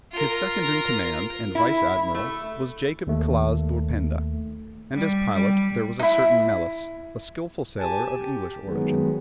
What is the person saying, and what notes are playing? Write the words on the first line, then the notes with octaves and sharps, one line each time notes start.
His second in command and vice-admiral was Jacob Claaz d'Ulpenda, and as pilot there was a certain Melis, a skilful sailor of English origin.
F4 A#4
E4
A3
D#2 A3
G3
G3
D#4 E4
G4 G#5 A5
G4
D#3 F#3 G#3 B3